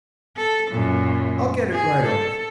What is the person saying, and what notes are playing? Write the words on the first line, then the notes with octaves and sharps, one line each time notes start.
I'll get it right off.
A4
F#2 A#2
G#4
A4